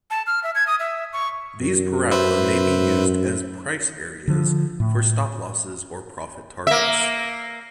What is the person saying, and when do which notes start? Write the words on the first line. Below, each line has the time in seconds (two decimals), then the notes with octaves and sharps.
These parabola may be used as price areas for stop losses or profit targets.
0.11 A5
0.27 F6
0.44 E5
0.55 G#6
0.67 D#6
0.80 E5
1.13 C#6
1.61 F#2
2.11 B4 C5 E5
4.28 D3 F3
4.80 A2
6.67 A#3 E5